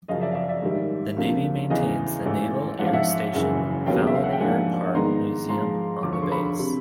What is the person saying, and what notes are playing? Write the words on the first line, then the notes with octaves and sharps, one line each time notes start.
The navy maintains the Naval Air Station Fallon Air Park museum on the base.
F#2 C#3 F3 D#5 F5
D5 E5
F5
D5 E5
D5 E5
G#2 D#3 G3
D2 C3 F3 A#3
E2 C#3 E3 D#5 F5
A1 G#2 E3 A3
A1 G#2 F3 F#5
F5
E5 F#5
F#1 F#2 C#3 E3
E1 D#2 C#3 F#3 B3 F5 G5
E5
F5
F#5
G5
G#2 F3 A#3 D4 F#5 G#5
G#2 D#3 G#3 B3 D#4 A#5 C6
G#2 F3 G#3 A#5 C6
E1 D2 D3 F3 D6
C#6
C6
B5 C#6
C3